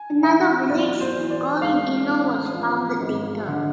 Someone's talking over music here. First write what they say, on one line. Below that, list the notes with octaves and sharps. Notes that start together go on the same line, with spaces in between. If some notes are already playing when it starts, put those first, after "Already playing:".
Another village, Golygino was founded later.
Already playing: G#5
E3 E5
B1 D5
C5
E3
D5
G#3 F5
A1
F3
G#1
D3